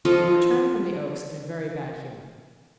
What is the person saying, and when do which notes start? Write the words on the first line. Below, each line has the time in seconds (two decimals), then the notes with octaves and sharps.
He had returned from the Oaks in a very bad humour.
0.05 F3 F4 A4 D#5